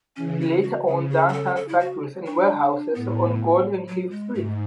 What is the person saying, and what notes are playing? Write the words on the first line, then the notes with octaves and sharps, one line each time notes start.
He later owned downtown factories and warehouses on Gold and Cliff Streets.
C#3 E3 C#4
E4
F#4
C#3 G#4
G#4
G#4
A4
A4
E4
F#4
D4
A2 B3
F#3
G#3
G#2 A3